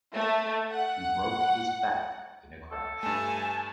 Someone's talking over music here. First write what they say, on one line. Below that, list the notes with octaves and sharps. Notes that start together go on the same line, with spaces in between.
He broke his back in a crash.
A3
F#5
A4
G2 A3 G#5 A5